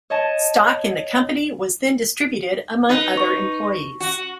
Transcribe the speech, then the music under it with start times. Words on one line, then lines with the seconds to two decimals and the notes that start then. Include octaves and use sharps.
Stock in the company was then distributed among other employees.
0.10 C#5 D#5 A5
2.89 D#4 B4
3.17 C#6
4.00 F#4